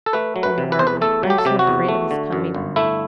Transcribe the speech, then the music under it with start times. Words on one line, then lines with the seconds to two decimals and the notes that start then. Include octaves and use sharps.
'Oh, Margaret, I'm so afraid of his coming!
0.06 A4
0.13 A3 B4
0.36 F#3
0.43 B4
0.58 C3
0.72 B4
0.79 E2 C5
0.87 B4
1.01 A3 A4
1.23 F#3
1.30 G4
1.38 A4
1.45 C3 G4
1.59 F#4
1.67 E2
1.88 A3
2.11 D3
2.32 F#2
2.55 G1
2.76 A3 E4